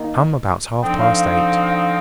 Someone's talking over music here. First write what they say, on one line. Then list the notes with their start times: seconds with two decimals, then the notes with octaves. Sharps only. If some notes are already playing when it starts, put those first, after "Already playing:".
Come about half-past eight.
Already playing: D#3 A#3 D#4
0.81 D3 F3 C4 D#4 G5
0.97 F5
1.12 F5
1.28 F5
1.75 F5